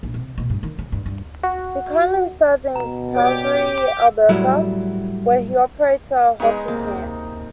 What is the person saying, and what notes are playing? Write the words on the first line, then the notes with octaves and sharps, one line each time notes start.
He currently resides in Calgary, Alberta, where he operates a hockey camp.
A#1
C3
B2
G2
D#3
C#3
G2
G2
F#4
B2 A#5
G4 C#5 D5 D6
A2 F#3 G3 E4
G#3 B3 C#4 D#4 G#4
C3 A#3